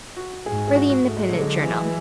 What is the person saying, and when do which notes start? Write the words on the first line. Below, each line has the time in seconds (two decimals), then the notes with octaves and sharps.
For the Independent Journal.
0.17 F#4
0.46 G#2 G#4
0.68 G#4
0.75 F#4
0.90 F#4
1.04 G#2 A3
1.17 G#3
1.29 D3 F#3
1.41 G#3
1.62 E3 G#3